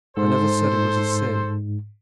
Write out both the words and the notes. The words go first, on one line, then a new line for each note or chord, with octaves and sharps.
"I never said it was a sin."
G#2 A4 C5